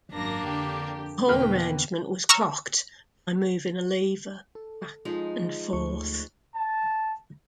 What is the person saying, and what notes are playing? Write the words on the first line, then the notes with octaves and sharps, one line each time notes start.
The whole arrangement was 'clocked' by moving a lever back and forth.
G#1 F#2 A#3 D4 A#6
F2 D3 G4
E2 B2 D3 A#3 B4 G5 F6
A#5 C#6 E6 F6
A4
F3 G#3 D#4
D2 A3 C#6
A5